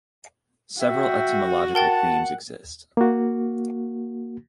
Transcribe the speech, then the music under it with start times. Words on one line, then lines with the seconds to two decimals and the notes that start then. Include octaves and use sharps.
Several etymological themes exist.
0.81 F#4 E5 G5
1.75 A#4 F#5 G5 A5 A6
2.97 A#3 F#4